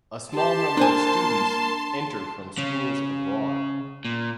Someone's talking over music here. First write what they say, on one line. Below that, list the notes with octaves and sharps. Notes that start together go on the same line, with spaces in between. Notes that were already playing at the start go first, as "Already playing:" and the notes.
A small number of students enter from schools abroad.
G4 A5 C6
A#3 D4 C5 G#5
C#3
A#2